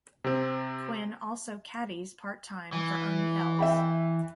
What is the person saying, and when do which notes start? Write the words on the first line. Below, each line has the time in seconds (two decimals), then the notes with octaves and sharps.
Quinn also caddies part-time for Ernie Els.
0.24 C3 C4
2.73 E3
3.59 E5 G5 B5